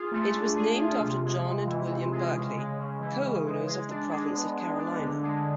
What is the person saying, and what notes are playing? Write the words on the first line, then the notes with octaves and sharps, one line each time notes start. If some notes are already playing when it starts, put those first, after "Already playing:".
It was named after John and William Berkeley, co-owners of the Province of Carolina.
Already playing: F4 G#4
A3
D4
G#4
F4
C3
G#3
C3
E3
C3
G#3
C#3
G#3
C#3
E3
C#3
G#3
G#3
D4
G#3
B3
G#3
D4
D3
G#3